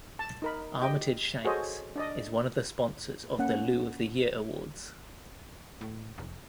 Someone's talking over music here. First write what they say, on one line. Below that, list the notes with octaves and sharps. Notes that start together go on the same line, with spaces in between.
Armitage Shanks is one of the sponsors of the Loo of the Year Awards.
A5
D#4 A#4 B5
G4 D#5 G5
F#4 G#4 A4 C5 C#5 D#5
D4 D5 D#5
A#3 C#4 F#5
A2
F1